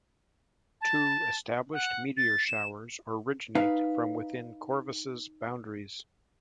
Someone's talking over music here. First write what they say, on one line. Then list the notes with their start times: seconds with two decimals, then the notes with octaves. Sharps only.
Two established meteor showers originate from within Corvus' boundaries.
0.81 A5
1.73 F#5
2.17 A6
2.47 E7
3.55 D#4 B4 F5